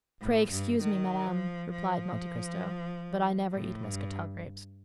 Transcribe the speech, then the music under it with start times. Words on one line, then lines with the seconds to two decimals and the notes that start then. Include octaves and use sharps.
"Pray excuse me, madame," replied Monte Cristo, "but I never eat Muscatel grapes."
0.21 A2
0.51 G2
0.81 D#3
1.26 F3
1.71 F3
3.52 A2
3.83 G2